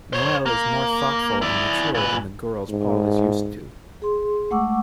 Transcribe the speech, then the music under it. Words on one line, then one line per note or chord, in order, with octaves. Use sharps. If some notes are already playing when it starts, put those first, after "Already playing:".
Noel is more thoughtful and mature than the girls Paul is used to.
C5 C#5
A#3
E4 D5
A#2 B4
G#2
G#4 C6
G#3 A3 F#5 C#6 D6 E6